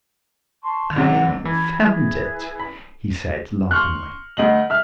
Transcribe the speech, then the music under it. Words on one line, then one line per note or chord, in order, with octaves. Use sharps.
"I found it!" he said laughingly.
A5 C6 C#6
G#2 C3 F#3 E4 D5 F#5
E3 A5 B5 G#6
E4 G#4 B4
B5
C6 C#6 F6 F#6
D2 D#5 F#7
E5 F6